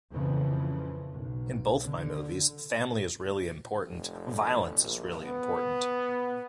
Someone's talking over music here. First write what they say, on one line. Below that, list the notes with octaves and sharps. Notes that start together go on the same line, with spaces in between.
In both my movies family is really important, violence is really important.
F2 A#2 C#3 E3 F3
B1
D3
F1
A#1
B3